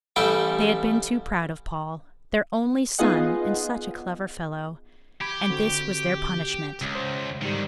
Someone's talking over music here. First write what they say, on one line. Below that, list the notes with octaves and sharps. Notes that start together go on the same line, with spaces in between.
They had been too proud of Paul ... their only son and such a clever fellow ... and this was their punishment!
A1 G3 E4 E5 G5 D6
B3 D#4 F4 G#4 D#5 F#5
G4 B5 G#6
D3 C4 F#4
C#2
C5
G#2 D3 D#3 G3